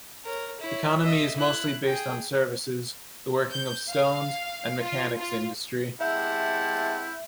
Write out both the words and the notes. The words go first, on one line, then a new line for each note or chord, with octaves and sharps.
Economy is mostly based on services, the working of stones, and mechanics industry.
A#4 C#5
E4 C#5
D#5 E5
E4 F#6
G#4 G5
G6
F5
F4
F4
G#3 C4 E4 G4 E5 F#5 A5 G6